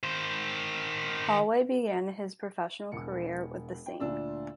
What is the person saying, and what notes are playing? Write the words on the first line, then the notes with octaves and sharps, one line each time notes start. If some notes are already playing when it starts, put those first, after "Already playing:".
Holway began his professional career with the St.
D#3 C5
E1 C#7
G5
D2 A#2 D4 E6